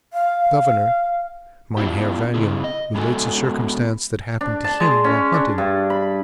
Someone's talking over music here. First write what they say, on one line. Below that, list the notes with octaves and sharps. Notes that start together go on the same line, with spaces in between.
The Governor, Mynheer Vanion, relates a circumstance that happened to him while hunting.
F5
B3 D4 E4 F4 G4
C#3 C4 E4 G#4
D#5
G#3 B3 E4 F#4 A4 G#5
D4
A5
G#3
C#4
D4
G2
B5